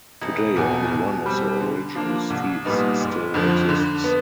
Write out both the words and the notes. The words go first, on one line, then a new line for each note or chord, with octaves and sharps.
Today only one of the original streets still exists.
E1
E2 B2
B2
G3 C4
D3
F3 A#3 D4
C2
A#2 G3 B3 D#4
F#1
F2 D3 F3
D3
B3